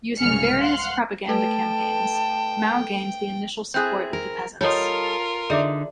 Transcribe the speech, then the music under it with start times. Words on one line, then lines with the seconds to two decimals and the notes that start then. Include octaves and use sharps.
Using various propaganda campaigns, Mao gained the initial support of the peasants.
0.20 C2 G#2 C#3 G#4 F6 C#7
0.60 F5 F#5 C6 F6 F#6
1.28 A3 A4 B4 G5 A5
3.74 C4 E4 G#4 F#6 G6
4.13 A#4
4.61 G3 F4 A4 A#4 C#5 D#5
5.50 D3 D#4 G#4 E5 D6